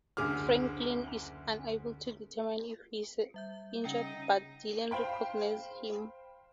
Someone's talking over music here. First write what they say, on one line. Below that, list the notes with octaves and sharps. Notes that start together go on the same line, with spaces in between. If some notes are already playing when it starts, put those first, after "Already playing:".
Franklin is unable to determine if he is injured; but Delenn recognizes him.
F#1 D2 G#4 D6 F6
G3 E5 G6
C#3 C#4 D#4 G5
C5 F5 G5 B5